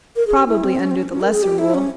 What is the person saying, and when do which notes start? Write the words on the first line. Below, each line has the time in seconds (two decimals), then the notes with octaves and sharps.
"Probably under the Lesser Rule."
0.16 A#4
0.27 G#4
0.37 G4
0.48 E4
0.64 C4
0.79 C#4
0.91 C4
0.95 C#4
1.11 C#4
1.21 A#4
1.32 G#4
1.43 G4
1.58 E4
1.74 C#4